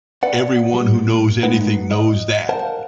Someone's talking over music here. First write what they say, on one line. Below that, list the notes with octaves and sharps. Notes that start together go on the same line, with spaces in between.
Everyone who knows anything knows that.
B4 D5 F#5
G3
A#2
G#3 A3 B3 D#4 B4 F#5
D#5
A#4 C5 F5 F#5 A5